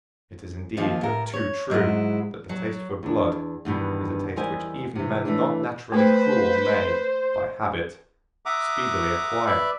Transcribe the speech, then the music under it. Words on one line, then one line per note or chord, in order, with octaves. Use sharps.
It is indeed but too true that the taste for blood is a taste which even men not naturally cruel may, by habit, speedily acquire.
D#2 F3 F4
A2 A#4
C#5
G#2 F#3 G#3 E4
F#3
E2 D4
E2 G2 B2 D#3
E2 G3 A#4 C5 D#5 G#5
C3 E3
E3 A3 C#4 D4
A3 B4 C5
E5 F#5 A#5 D6 D#6
B4 D5 E5